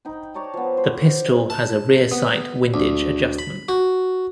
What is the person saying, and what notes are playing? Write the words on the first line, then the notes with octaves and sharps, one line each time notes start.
The pistol has a rear sight windage adjustment.
D#4 G5 B5
C#5 D5 A5 A#5
F3 B3
C5 B5
A5
B3
D2
B5
F#4